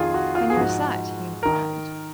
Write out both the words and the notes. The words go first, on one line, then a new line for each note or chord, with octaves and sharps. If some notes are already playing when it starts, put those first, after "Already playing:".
"Can you recite?" he inquired.
Already playing: F2 D#3 F4 G#4
F#4
F4
G#4
G#2 F3 F#4
D#3 A#4